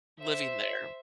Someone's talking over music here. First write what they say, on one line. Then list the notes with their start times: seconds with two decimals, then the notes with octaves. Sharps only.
living there.
0.19 C5 E5